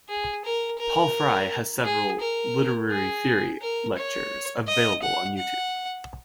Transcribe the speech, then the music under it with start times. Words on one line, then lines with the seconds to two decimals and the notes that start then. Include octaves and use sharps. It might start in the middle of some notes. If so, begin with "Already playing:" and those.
Paul Fry has several 'literary theory' lectures available on YouTube.
0.09 G#4
0.45 A#4
0.79 A#4
1.85 G#4
2.21 A#4
2.91 G#4
3.62 A#4
3.97 C#5
4.68 D#5
5.02 F#5
5.38 F#5